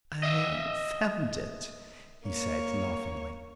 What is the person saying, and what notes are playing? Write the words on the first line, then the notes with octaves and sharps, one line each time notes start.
"I found it!" he said laughingly.
D#5 E5
A#3 C#5